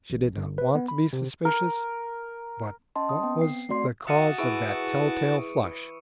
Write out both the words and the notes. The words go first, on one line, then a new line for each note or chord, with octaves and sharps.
She did not want to be suspicious, but what was the cause of that tell-tale flush?
A1
G1
B4
B3
B5
C3
A#4
C#4 D#5 G5 A5 C6
D#6
B3 C4 G5
C7
A3 C4 F#4 D5 C6 C7
F#4 E5 F5 A5 D6 D#6 C#7 D#7
E3 E4 G#4 C#6 D7